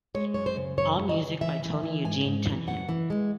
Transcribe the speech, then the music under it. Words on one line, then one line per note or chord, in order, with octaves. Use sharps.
All music by Tony Eugene Tunheim.
G#3 C#5
F#2 C#5
C5
C#3
F#2 C#5
F#2
D#5
C#3
E3 E5
E3
E3
G#2 G#5
G#2
E3
F#2 F#5
E3
G#3